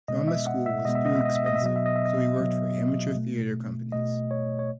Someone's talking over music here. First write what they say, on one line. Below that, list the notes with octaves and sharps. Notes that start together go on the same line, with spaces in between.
Drama school was too expensive so he worked for amateur theatre companies.
B2 G#3 B3 D#5
E5
F#5
E5
B2 G#3 B3 D#5
E5
D#5
E5
D#5
E5
D#5
E5
B2 F#3 B3 D#5
E5
D#5
E5
D#5
B2 F#3 B3
B2 A3
B2 A3 D#5
C#5
C#5